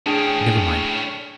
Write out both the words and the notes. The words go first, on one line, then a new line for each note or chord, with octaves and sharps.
Never mind.
A2 C#4 D4 G#4 G5